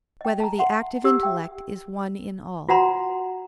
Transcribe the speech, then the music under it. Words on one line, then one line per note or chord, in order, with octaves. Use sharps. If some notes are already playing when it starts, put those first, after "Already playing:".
Whether the Active Intellect Is One in All?
D#5 G5
A5 A#5
E5 F#5 C6
G4 E6
E5 G5
F4 F#4 F#5 A#5 C6